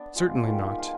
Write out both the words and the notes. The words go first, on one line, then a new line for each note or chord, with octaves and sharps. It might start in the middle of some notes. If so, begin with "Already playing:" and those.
Certainly not.
Already playing: B3 D4 D5
G#3 F4
F4
D#3 G4
F3 F4